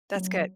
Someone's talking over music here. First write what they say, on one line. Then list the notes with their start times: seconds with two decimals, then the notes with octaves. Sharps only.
That's good.
0.15 F#3